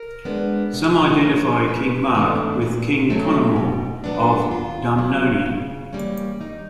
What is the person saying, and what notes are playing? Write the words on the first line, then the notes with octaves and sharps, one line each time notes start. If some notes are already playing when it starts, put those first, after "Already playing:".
Some identify King Mark with King Conomor of Dumnonia.
Already playing: A#4
G#3 B3 D4
C3
F3 A#3 C#4
G2 B4
E3 A3 D4
A#2
F#3 A3 C4
B2
F#3 B3 D4
F#4
D#2 F4
C#3 F#3 B3
C#3
E3 G3 A#3 C#4
D#2 D#4